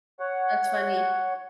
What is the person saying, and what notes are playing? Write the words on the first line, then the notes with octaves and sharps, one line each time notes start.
That's funny.
C#5 F#5